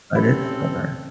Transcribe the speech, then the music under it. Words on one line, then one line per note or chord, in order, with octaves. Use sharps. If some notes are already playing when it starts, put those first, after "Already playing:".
but it's still there.
C4 C#4 E4 G4 A4